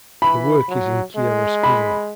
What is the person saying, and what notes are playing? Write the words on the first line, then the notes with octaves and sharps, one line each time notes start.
The work is in chiaroscuro.
E3 B5
F#3
G#3
B5